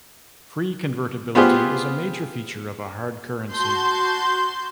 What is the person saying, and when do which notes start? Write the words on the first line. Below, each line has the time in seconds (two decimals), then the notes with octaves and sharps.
Free convertibility is a major feature of a hard currency.
1.35 B3 F4 G4 G#4 C5
3.52 F#4 A5 C6 G6